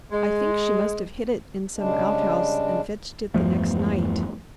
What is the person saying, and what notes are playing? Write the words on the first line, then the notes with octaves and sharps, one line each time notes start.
I think she must have hid it in some outhouse, and fetched it the next night.
G#3
C#3 G3 G#3 D4
E2 G2 F3 A3